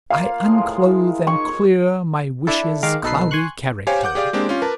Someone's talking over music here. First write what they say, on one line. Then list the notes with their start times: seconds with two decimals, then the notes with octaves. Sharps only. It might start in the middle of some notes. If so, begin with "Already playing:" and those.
I unclothe and clear My wishes' cloudy character.
0.10 A#3 F4 F5
0.45 A2 F3 G#3 C6
0.85 E4
1.27 D#4 C#5 G#5 C#6
2.47 D4 E4 A4
2.83 D#3 G#3 F5 A#5 D6
3.03 B1 D#4 A4 B4 C7
3.31 G#5 C6 C#6 F#6
3.87 G4 C5 C#5 F5 G5 G#5
4.03 F#5 D6 G6
4.15 G4 G#4 D5 F5 D6
4.33 G#3 A#3 C4 D4 G4
4.49 C#4 F4
4.62 A#4 B4 A5